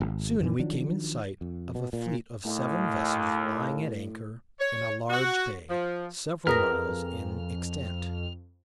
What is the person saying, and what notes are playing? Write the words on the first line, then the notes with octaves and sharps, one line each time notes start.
Soon we came in sight of a fleet of seven vessels lying at anchor in a large bay, several miles in extent.
G#1
F#2 D#3 E3
D#3 F3 F#3 D4
F2
B2
A#2
D#2 A2
C#5
F#4
F3
F2 G#4 A#4 B4 D#6 F6 A#6